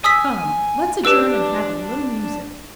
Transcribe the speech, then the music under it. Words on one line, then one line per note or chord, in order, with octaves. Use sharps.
"Come, let's adjourn and have a little music."
G#5 D#6 E6 B6
D4 G4 B4 E6